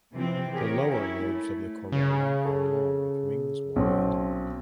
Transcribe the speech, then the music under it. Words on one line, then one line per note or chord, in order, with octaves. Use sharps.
The lower lobes of the corolla are long with wings wide.
C3 E3 F3 C4
G4 G#4 A#4 C#5
C#4 E4
A3
C#3
A4
B1 C4 C#4